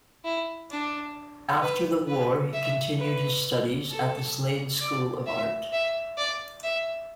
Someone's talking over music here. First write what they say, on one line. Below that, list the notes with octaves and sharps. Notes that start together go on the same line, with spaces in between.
After the war, he continued his studies at the Slade School of Art.
E4
D4
B4
B4
E5
B4
A4
D5
E5
E5
D5
E5